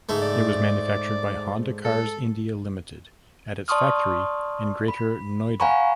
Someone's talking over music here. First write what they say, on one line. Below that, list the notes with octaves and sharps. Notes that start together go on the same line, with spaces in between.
It was manufactured by Honda Cars India Limited at its factory in Greater Noida.
G#2 A3
D5
A4
D5 A5 C6 C#6 D#6 F6
B5
F5 F#5 G#5 A#5 B5 C#6